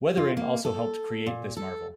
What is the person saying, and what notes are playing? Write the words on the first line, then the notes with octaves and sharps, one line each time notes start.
Weathering also helped create this marvel.
F4
A#3
A4
A#2
A4